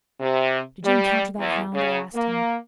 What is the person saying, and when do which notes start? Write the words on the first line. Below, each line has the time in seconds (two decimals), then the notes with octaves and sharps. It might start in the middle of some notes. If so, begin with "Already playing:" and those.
'Did you encounter that hound?' I asked him.
0.21 C3
0.84 G3
1.38 E2
1.74 C#3
2.15 A#3